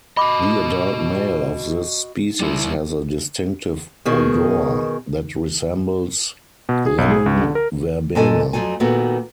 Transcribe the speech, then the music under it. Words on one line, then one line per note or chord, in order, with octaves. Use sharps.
The adult male of this species has a distinctive odour that resembles lemon verbena.
F#4 D#5 B5 D6
G3 E4
B2 D#3 G#4
B2
G#4
B1
G#4
C#2
D3
A#4
A#2 D3 A4 D#5 G#5
F2 F3 F#3 A3 G#5
A#2 D#3 A3 B3 F#4